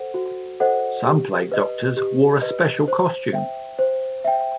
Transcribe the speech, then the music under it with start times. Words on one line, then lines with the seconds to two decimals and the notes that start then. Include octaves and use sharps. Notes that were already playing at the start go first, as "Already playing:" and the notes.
Some plague doctors wore a special costume.
Already playing: A4 C5 F#5
0.14 F#4
0.60 A4 C5 D#5 F#5
1.06 G4
1.52 B4 D#5
1.97 G4
2.42 B4 D#5
2.88 C5
3.33 E5 G5
3.79 C5
4.24 E5 G5